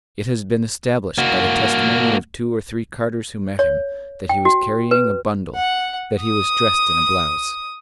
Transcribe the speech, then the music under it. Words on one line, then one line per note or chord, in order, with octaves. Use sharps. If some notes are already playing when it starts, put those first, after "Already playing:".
It has been established by the testimony of two or three carters who met him, that he was carrying a bundle; that he was dressed in a blouse.
A#3 F#4
C#5
G5
F#4
B4
F#5
D#6